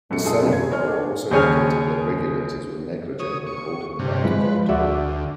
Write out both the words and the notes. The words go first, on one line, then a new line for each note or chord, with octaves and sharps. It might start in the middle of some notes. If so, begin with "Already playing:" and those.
The Senate report also indicated that regulators were negligent in holding the bank accountable.
F#2 B2 A3 C#7
A3 D#4 F4 G#4 A4
F#1 F#2 D#3
G#6
C5 C#5 D#5 G#5 F6
A3 D4
D#2 C#3 G#4 C#5 G#5 F6
C#5 D#6
C#6
G2 C3
F3 G#3 B4
D2 F#4 D5 E5